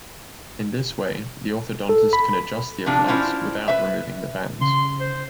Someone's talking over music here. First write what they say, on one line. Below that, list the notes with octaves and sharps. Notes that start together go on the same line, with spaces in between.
In this way the orthodontist can adjust the appliance without removing the bands.
A4
B5
C3 F3 D4 D5
C#4 E4 F4 C5 D5
B4 E5
C#3 C6
C5